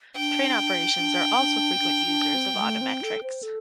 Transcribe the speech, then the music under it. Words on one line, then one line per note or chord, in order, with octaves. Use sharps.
Train operations are also frequent users of odometrics.
D4 G5
D4
D4
C4
D4
D4
C4
G3
A3
C4
A4
C5
A4